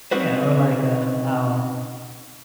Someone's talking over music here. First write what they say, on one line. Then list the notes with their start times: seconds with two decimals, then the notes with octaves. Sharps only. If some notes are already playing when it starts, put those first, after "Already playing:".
yeah, or, like, um, I'll
0.11 C4 C#4 D#4 F#4 B4 C5